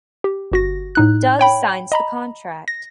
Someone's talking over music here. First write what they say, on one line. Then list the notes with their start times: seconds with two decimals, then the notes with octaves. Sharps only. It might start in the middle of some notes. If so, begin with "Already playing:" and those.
Doug signs the contract.
0.24 G4
0.52 G1 F#4 A#6
0.95 A2 D#4 F#6
1.39 C#5 G5 B5
1.92 D#5 A#5 B5
2.68 A#6